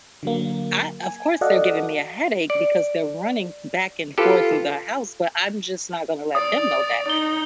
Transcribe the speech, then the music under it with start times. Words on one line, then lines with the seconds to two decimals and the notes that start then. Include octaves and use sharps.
I of course, they're giving me a headache because they're running back and forth through the house, but I'm just not gonna let them know that.
0.23 D3 F#3 A#3
1.03 G#5
1.41 F#4 A4 D5 D#5 F5 F#5
2.50 D5
4.18 F4 G4 A4 B4
6.35 D5 D#6
7.10 D#4 G7